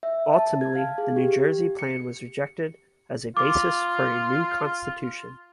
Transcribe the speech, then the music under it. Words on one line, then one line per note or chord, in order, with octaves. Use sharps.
Ultimately, the New Jersey Plan was rejected as a basis for a new constitution.
E5
A5
G#6
F5
G#4
G4
G4
C#7
F4 D6